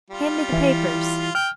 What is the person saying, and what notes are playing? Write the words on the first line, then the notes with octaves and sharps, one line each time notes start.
Hand me the papers.'
G3 F4
E3 E4
G5 F6